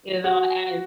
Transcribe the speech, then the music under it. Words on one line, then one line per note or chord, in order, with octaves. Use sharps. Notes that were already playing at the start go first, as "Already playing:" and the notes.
You know, as
F#4